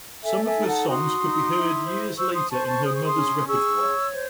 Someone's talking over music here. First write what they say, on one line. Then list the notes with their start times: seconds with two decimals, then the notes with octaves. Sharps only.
Some of her songs could be heard years later in her mother's repertoire.
0.23 A4 E5 G#5
0.45 E5 G#5
0.57 D#4
0.67 F#5 A5
0.88 F#4 C6 D#6
1.20 D#4
1.53 E4
1.86 C5
2.18 C5 C#6 E6
2.34 C6 D#6
2.50 C5 A5 C#6
2.67 A5 C#6
2.82 G#4 D#6
2.95 C#6
3.05 C6 D#6
3.15 C#4
3.47 G#4 C#6 E6
3.80 C#5
4.12 C5